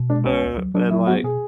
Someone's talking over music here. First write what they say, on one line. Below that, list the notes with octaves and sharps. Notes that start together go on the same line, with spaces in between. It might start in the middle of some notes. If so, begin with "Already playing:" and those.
uh, and, like
Already playing: B2
G#3 D4
B1 C#4
D2
F#3
F#3 D4
F#3 E4
B3 F#4
B2 G#4